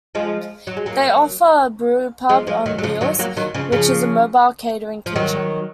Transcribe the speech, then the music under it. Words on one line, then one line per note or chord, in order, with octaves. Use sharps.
They offer a brewpub on wheels, which is a mobile catering kitchen.
F3 G#3
F#3
G#3
F#3 A#3
F3 G#3
F3 G#3
D#3 F#3
F#3
C#3 F3
D#3 F#3
F#3 A#3
D#3 F#3
C#3 F3
C#3 F3
F3
D#3 F#3